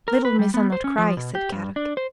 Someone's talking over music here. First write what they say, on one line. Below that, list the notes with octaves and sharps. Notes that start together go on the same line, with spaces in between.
"Little Missa not cry," said Kadok.
A#4
B4
G3
B3
C5
C#4
F3
B2
G4
G2
D4
C5